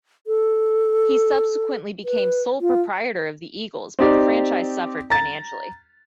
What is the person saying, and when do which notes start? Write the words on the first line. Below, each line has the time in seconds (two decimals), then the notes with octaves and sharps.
He subsequently became sole proprietor of the Eagles, but the franchise suffered financially.
0.27 A4
2.05 B4
2.61 F4
3.99 C4 D#4 G4 D5
5.10 A#5 A6